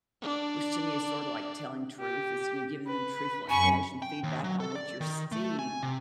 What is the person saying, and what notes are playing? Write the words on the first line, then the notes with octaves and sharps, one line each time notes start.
which to me is sorta like telling truth is you giving them truthful information feedback on what you're seeing,
D4 D5
G4
B4
F#2 G#5 B5 C#6
G5
D#2
F#3
A4
D5
D#3
A3
G#5
C3